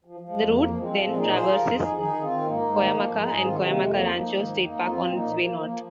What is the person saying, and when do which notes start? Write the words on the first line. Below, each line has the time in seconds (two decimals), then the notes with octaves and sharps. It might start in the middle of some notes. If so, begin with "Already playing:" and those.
The route then traverses Cuyamaca and Cuyamaca Rancho State Park on its way north.
0.05 F3
0.20 F3
0.29 G#3
0.37 F2
0.53 F3 A#3
0.69 F3
0.77 G#3 C4
0.85 F3
1.01 A#2 G#3 C4
1.17 F3 D#4 G#4
1.33 F3 G#4 C5
1.49 F3 F4 A#4
1.66 F2
1.73 D#4 G#4
1.81 F2
1.97 D#3 D#4 G#4
2.13 D#3
2.21 C4 F4
2.30 D#3
2.46 G#2 A#3 D#4
2.62 G#2
2.77 D#3
2.93 F3 A#3
3.10 G#2
3.18 D#4 G#4
3.26 G#2
3.42 D#3 C4 F4
3.53 C3 G#3 C4
3.65 A#3
3.74 F2 G#3
3.90 F3 A#3
4.06 F3
4.14 A#3 D#4
4.22 G#2
4.38 D#3
4.55 F2
4.70 F2
4.86 F3 C4 F4
5.02 A#2
5.10 A#3 D#4
5.18 F3
5.34 F3 A#3
5.51 F3
5.59 A#3
5.67 F3